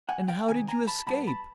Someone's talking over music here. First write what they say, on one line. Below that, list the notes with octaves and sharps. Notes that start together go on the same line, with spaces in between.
"And how did you escape?"
F#5 G#5
F5 G5
C3 D#3 G#5
G#5 A#5
A5 B5
B2 G3 B3 A5 B5
A5 B5